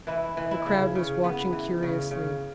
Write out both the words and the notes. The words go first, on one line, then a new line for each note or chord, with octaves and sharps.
The crowd was watching curiously.
E3 E4
E3
E4
C#3
C#3
B3
E3
C#3
C#3